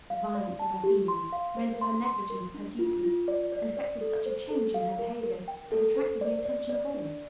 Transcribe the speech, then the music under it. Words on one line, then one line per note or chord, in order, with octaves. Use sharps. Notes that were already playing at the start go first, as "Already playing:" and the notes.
The violence of her feelings rendered her negligent of her duty, and effected such a change in her behaviour as attracted the attention of all.
F5
D5
A5
G4
C6
F5
C5
C6
C6
A#4
D4
F4
F4
D5
D5
D5
A4
C5
A4
F5
A#4
A#4
G5
A4
C5
D5
D5
D5
D4